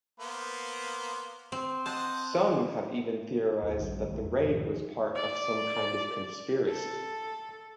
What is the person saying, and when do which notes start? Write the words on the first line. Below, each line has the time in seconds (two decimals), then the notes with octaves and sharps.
Some have even theorized that the raid was part of some kind of conspiracy.
0.20 A#3 B3 C5
1.52 C4
1.86 C5 D#5 F#5 A5
3.63 D#2
3.79 A#1 D#3 G3
4.08 B1 E2 G#3 A3
4.24 E2
4.45 D#2 A#2 D#3 F3
5.15 D5
6.67 A4